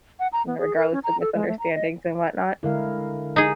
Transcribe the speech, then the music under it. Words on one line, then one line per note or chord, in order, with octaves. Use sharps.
regardless of misunderstandings and whatnot.
F#5
A#5
B3
G#4
A#4
C#4
A#5
A4
G#3
A3
A#5
D#5
D3 G#3 E4 A#4 F5
D#4 G#4